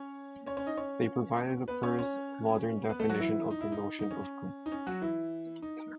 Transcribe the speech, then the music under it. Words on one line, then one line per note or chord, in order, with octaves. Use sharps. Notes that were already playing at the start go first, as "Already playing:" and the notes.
They provided the first modern definition of the notion of group.
Already playing: C#4 C#5
C#4 C#5
C#4 C#5
D#4 D#5
C#4 C#5
B3 B4
C#4 C#5
C#4 C#5
B3 B4
A3 A4
F#3 F#4
E3 E4
D#4
E4
D#4
D#4
C#4
D#4
C#4
F#3 F#4
E3 E4
D#4